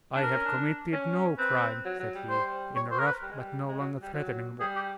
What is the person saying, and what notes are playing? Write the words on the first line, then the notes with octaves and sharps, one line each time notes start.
"I have committed no crime," said he, in a rough, but no longer threatening voice.
D4
A#4
C#4
D4
C#4
C4 B4
F#3
F#3
G3
C5
C#5
C5
A#4
B4
G3
G#3
G3
G#3
F#3
G3
F#3
G3 G#4
G4